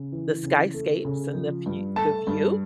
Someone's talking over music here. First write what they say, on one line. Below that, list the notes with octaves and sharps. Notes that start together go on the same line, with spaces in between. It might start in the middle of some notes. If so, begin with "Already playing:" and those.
the skyscapes and the fe the view.
Already playing: C#3
E3
C#3
A3
C#3
F3
G2
A3 A5
G2